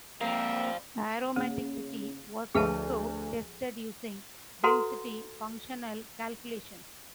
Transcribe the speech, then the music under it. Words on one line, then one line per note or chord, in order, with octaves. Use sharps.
Aromaticity was also tested using density functional calculations.
G3 A#3 C4 A#4 C5 E5 F5 G5
C#3 A#3
D2 F3 G#4 B4 E5 F5 A5
F#4 A4 B4 F#5 A#5 C6